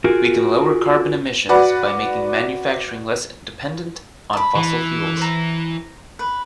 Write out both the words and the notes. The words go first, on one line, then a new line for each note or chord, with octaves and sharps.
We can lower carbon emissions by making manufacturing less dependent on fossil fuels.
F4 F#4 G#4 A#4
F#4 B4 D5 F#5
A5 B5
E3
C5 A#5
B4